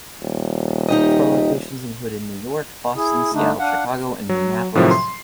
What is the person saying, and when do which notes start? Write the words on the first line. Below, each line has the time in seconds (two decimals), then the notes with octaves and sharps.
Tour locations included New York, Boston, Seattle, Chicago, and Minneapolis.
0.22 D#1
0.89 D#4 G4 D#5
2.96 E4 G#4
3.33 D3 A3 D4 D#4
3.59 D4 F5 F#5
4.29 F#3
4.75 A2 C3 D#3 F3 F#3
4.91 C6